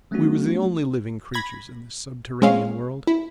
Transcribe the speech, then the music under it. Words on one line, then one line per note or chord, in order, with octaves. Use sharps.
We were the only living creatures in this subterranean world.
F#3 A3 B3 C#4 D4 F#4
B5 G#6 A#6
G#3 C4 C#4 F5
E4